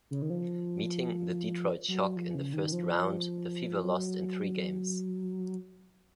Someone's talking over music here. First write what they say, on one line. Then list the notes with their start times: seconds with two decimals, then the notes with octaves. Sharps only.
Meeting the Detroit Shock in the first round, the Fever lost in three games.
0.11 C#3
0.22 D#3
0.30 F3
1.88 F#3
2.16 F3
2.35 C#3
2.53 D#3
2.72 F3
3.84 F#3